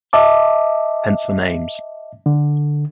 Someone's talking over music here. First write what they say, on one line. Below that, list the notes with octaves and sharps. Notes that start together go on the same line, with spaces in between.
Hence the names.
D#5 E5 A5 D6
D3